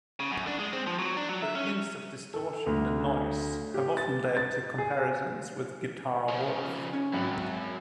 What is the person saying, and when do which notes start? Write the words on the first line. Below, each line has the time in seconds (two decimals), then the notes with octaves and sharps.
Their use of distortion and noise have often led to comparisons to Guitar Wolf.
0.20 C#3
0.32 F#2
0.47 D4
0.59 G#3
0.73 C4
0.87 F3
0.98 F#3
1.17 D4
1.29 F#3
1.42 E5
1.55 C#4
2.34 A4
2.66 D2
3.74 G4
3.97 A6
4.37 A6
4.78 G#4
6.29 C#3 F3
6.93 C#4
7.13 G#1 F#2 F#3